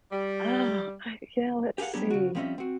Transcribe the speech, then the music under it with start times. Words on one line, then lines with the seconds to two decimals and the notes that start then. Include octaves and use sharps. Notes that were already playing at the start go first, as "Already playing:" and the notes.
Oh, I yeah, let's see.
0.12 G3
1.78 G4 G#4 A#4 F5 F#5
1.93 F#3 G3 B3 D4 G4 G#4
2.10 C#3 F#4
2.35 F3 G3 C4 C#4 D#5 E5
2.58 C4 F#4